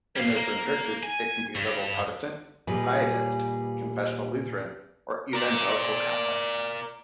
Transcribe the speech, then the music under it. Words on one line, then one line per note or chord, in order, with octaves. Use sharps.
In Lutheran churches it can be liberal Protestant, pietist, confessional Lutheran, or evangelical Catholic.
G3 F5
A#3
G#5
G2
D#2 A#2 G3 G#4 B4
A#4 D5